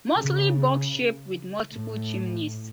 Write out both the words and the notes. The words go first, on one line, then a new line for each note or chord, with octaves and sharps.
Mostly box shaped with multiple chimneys.
C#3
A2